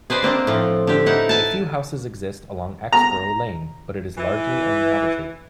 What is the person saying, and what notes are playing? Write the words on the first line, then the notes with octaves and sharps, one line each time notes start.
A few houses exist along Axborough lane, but it is largely uninhabited.
G#4 B4 C5 D5 D#5
A#3 C4 D4 D#5
A2 F3
D3 G4
D#4 E4 F#5
B4 G#5 A5
A#5
E3